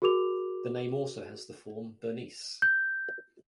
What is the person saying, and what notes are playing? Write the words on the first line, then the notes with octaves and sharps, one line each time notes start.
The name also has the form Bernice.
F#4 G#4 A#4 D6 F7
G6